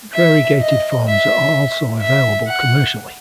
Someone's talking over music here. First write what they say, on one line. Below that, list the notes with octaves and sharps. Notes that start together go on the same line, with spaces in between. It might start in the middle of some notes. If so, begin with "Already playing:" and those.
Variegated forms are also available commercially.
E5
D#5
E5
E5
F#5